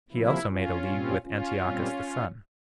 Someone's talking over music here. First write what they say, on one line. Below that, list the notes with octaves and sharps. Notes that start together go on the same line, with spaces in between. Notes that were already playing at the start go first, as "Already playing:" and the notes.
He also made a league with Antiochus the son.
C3 F3 A#3 E4
C#4 F4
A#2 G3 C4
C#4 F4
A#2 G3 C4